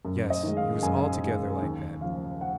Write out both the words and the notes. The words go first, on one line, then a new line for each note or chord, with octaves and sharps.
Yes, he was altogether like that.
F#2
D#5
D#3 G#3
F5
F#2 G#5
D#3 G#3
D#2
C#3 F3 F5
F#5